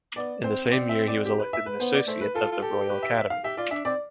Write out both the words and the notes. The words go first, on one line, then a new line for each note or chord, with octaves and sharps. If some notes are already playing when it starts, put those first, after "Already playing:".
In the same year he was elected an associate of the Royal Academy.
B3 D5
C4 C5
D5
E5
D5
G4
B4
E5
B4
B3 C5
D5
A3 C5
B4
F4 A4
F4
G4 A4
B4
E5
E5
F5
G4 E5
F4 D5
D4 E5
C4 D5